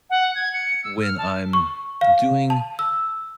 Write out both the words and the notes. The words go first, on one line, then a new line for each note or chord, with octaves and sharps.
when I'm doing
F#5
G#6
C#7
E6
F6
A5
C#6
F5
A5
E6